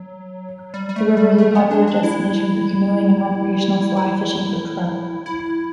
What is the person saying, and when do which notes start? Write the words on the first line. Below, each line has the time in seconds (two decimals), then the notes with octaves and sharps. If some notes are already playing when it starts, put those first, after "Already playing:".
The river is a popular destination for canoeing and recreational fly fishing for trout.
Already playing: F#3
0.74 G3
0.89 G3
0.96 A3
1.17 G3
1.38 A3
1.55 B3
1.71 D4
1.87 D4
2.03 E4
3.96 E4
5.26 E4